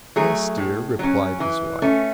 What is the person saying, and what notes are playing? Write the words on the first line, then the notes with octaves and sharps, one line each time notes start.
"Yes, dear," replied his wife.
F#3 A3 G#4
A2
F#3 C#4
E3
A3 C#4